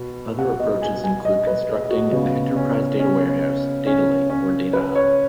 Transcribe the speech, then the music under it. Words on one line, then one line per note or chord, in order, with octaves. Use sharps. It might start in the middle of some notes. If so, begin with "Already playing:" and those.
Other approaches include constructing an Enterprise data warehouse, Data lake, or Data hub.
Already playing: B2
F#5
D#5
G#5
G#5
D#5
B4
G#4
F#4
C#3 B3 F#4
C#4
C#4
C#4
C#4
B4
C#5